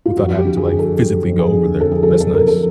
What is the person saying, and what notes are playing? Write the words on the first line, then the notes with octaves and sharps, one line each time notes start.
without having to, like, physically go over there. That's nice.
F4
F2 F#4
G4
D3
G#4
F2
A4
F#3 G4
F2
G#4
D3
F2 A4
G#4
F#3 A4
A4
F2 A#4
A4